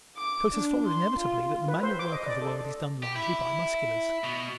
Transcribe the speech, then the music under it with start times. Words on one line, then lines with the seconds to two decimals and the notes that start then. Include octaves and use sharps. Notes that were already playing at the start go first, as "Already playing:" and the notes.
So it has followed inevitably that the manual work of the world is done largely by Musculars.
0.17 D6
0.53 D4
0.86 C6
1.19 F4
1.68 B4
1.83 C5
1.99 D6
2.12 D#5
2.26 D5
2.42 A4
3.03 G4
3.16 E4
4.24 B2